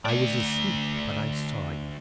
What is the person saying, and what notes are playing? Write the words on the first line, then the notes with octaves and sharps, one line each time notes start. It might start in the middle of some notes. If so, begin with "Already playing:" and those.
I was asleep, but I saw you.
A3 D5